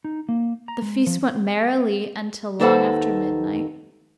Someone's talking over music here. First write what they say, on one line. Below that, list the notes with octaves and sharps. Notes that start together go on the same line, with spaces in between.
The feast went merrily until long after midnight.
D#4
A#3
A#5
G#3
F3
D#2 D#4 A4 B4 C5 F#5